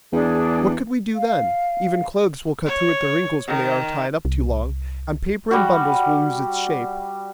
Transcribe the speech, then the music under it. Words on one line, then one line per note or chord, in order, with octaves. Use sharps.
What could we do then? Even clothes will cut through at the wrinkles when they are tied up too long, and paper in bundles will lose its shape.
E2 D4 G#4
F5
C#5
D#3
C2
G3 F#4